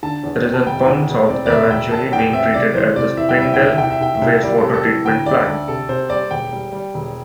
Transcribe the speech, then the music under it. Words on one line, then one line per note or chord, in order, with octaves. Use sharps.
It is then pumped south, eventually being treated at the Springdale Wastewater Treatment Plant.
D3 A5
E2
C4
A5
E1 G5
E2
E1
C4 D5
D5
E1 E5
E1 G5
E1 A5
E2 G5
C4 E5
C3 D5
E3 C5
C3 D5
E3 E5
G5
G3 E5
G5
C2
E5
C2 G5
E5
C2 G5
E5
C2
G3 D5
C3 A4
A4
E3
D2 G5
D2 D5
D2 A4
C3 A4
C3 C5
G3 D5
E1 G5
G3
G3
E1